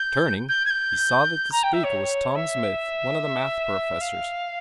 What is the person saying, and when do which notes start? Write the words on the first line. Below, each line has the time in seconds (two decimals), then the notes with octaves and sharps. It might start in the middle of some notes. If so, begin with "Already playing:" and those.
Turning, he saw that the speaker was Tom Smith, one of the math professors.
Already playing: G6
0.49 G6
0.65 G#6
0.70 G6
1.52 A#5
1.63 G5
1.73 E5
1.84 C#5
2.35 E5
4.01 F5